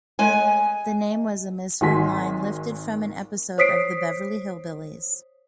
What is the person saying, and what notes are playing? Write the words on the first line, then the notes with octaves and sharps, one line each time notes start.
The name was a misheard line lifted from an episode of "The Beverly Hillbillies".
G#3 G#5
G#1 D#3 F#3 G#5 C6 B6
C5 C#5 D#6 B6 C7 D7